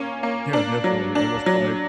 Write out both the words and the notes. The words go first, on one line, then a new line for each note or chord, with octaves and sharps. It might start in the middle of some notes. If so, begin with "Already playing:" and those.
Yeah, definitely, and it's like
Already playing: A#3 C#4
A#3
D4
F#3
D4
F#3